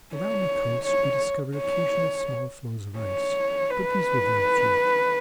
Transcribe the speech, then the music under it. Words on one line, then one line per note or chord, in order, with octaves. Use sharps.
Around the coast we discovered occasional small floes of ice--but these were very few.
C#5
C#5
C#5
C#5
B4